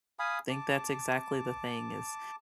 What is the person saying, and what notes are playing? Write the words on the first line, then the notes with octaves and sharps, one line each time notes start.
think that's exactly the thing is,
F5 G#5 B5 D#6
A5 D6